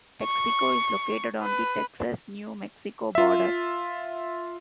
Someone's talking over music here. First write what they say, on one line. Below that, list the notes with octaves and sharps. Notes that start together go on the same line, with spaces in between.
Texico is located on the Texas-New Mexico border.
C#6
B4
F4 E5